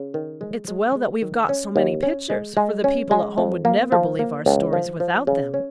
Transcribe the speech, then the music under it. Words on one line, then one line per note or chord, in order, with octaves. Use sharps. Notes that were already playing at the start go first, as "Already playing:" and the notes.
"It's well that we've got so many pictures, for the people at home would never believe our stories without them."
Already playing: C#3
D#3
G#3
G#3
G#3
D#3
C#4
D#2
C#4
G#3
G#3
C#4
G#3
F2
A#3
F3
A#3
C#2
F3
F3
C#3
C#4